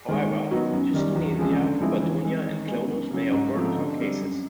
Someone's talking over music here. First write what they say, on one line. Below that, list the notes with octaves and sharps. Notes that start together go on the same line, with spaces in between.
However, dyskinesia, hypertonia, and clonus may occur in some cases.
D#3 G#3
D#3
F#3 B3 D#4 F#4
F#2
D#3 G3
E2
C#3 F3 G#3 C4
D3
F3 G#3 C4 E4
E3
G#3 C4
D#3
G#3 B3
F#2
C#3 F#3
G#2
F3 A3 C4
D3
G3 C4
F#2